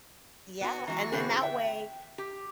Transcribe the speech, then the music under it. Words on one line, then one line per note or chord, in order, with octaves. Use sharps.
Yeah, and then that way
B3 F#4
E3 F#3 G#3 E4 F#4
B2 D3 E3 C4 F#4 G#4
E5 G5
G4